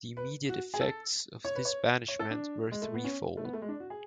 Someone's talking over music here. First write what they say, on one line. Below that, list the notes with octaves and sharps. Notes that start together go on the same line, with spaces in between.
The immediate effects of this banishment were threefold.
B4
F#4
G#4
A4
C#5
B4
C#5
C#5
A4
D4
G#3
A3
B3
C#4
A3
B3
A3
G#3
D4
F#4
G#4